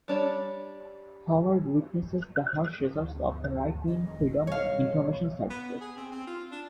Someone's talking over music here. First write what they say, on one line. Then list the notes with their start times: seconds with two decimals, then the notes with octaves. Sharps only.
Howard witnesses the harsh results of the right-wing Freedom Information Services.
0.08 G3 D4 C#5
2.95 D2 D3 F3
3.88 F1 D#3 D#5
4.47 B1 B2 G3 C#5 F5
5.50 B3
5.81 G#4
5.97 C4
6.11 C4
6.27 F4
6.51 D4